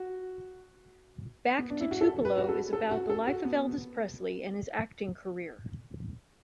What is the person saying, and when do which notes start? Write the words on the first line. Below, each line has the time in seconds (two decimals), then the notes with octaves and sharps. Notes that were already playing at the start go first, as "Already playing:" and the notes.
"Back to Tupelo" is about the life of Elvis Presley and his acting career.
Already playing: F#4
1.59 B3
1.70 D4
1.81 E4
1.91 F#4
2.01 A4
2.25 B4
2.38 F#4
2.49 A4
2.73 A4
2.91 F#4
3.09 A4
3.28 F#4
3.45 B3